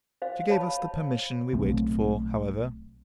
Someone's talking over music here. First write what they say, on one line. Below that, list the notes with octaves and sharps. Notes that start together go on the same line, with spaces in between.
She gave us the permission we waited for, however.
C5 F5
C5 C#5 F5 A5 B5
B1 A3 C4